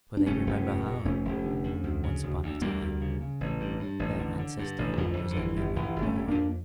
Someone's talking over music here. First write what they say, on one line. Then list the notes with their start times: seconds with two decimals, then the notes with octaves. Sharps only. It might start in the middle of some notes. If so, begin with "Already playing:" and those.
For they remember how, once upon a time, their ancestor was a human boy.
0.17 D4
0.26 F1 A3 C#4
0.47 F1
0.66 F2
0.85 F2
1.05 F1 A3 C#4
1.25 F1
1.45 D3
1.64 F2
1.84 D2
2.03 C#3
2.23 D2
2.43 D2
2.61 D2 G3 A#3
2.81 D2
3.01 C#3
3.21 C#3
3.41 A1
3.60 G2
3.79 G2
3.99 A1
4.19 D3
4.39 D3
4.59 G2
4.78 A1
4.98 F2 D3 F3
5.17 F2
5.31 D3
5.36 G1 E3
5.56 G1
5.76 G1 E3
5.96 G1
6.02 A3 C#4
6.15 G1
6.28 A#3 D4
6.35 F2